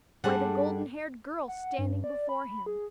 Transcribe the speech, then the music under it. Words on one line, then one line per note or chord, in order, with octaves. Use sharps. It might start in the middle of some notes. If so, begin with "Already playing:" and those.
Why, the golden-haired girl standing before him.
G2 G3 D4 G#4 A4 F#5
F#5
G2
D5
B5
G#4